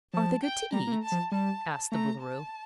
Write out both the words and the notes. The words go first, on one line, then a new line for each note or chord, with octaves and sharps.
"Are they good to eat?" asked the Boolooroo.
F3 A5
G5
G3 A#5
A#3
A3
A5
F3
G3 A5
A3 A#5
A5